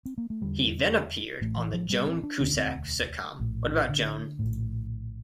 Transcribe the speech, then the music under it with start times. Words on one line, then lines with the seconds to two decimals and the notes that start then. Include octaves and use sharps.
He then appeared on the Joan Cusack sitcom What About Joan?
0.05 C4
0.18 A#3
0.30 A3
0.42 F1 E2 D3 G3
1.41 A1 A2 A3
1.57 E3
1.74 F3
1.90 G3
2.07 C4
2.23 D4
2.40 E1 D2 D3 D4
2.57 C4
3.39 A#1 A2
3.89 D3
4.39 A#1 A2